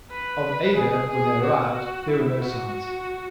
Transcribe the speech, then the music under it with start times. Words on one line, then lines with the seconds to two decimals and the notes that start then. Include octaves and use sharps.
Of Ada, when they arrived, there were no signs.
0.11 B4
0.77 G#4
1.09 G#4
1.43 F#4
2.08 E4
2.42 F#4